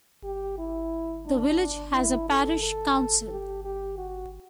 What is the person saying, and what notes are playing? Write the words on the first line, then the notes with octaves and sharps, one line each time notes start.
The village has a parish council.
G4
E4
D4
E4
A4
A4
G4
G4
F#4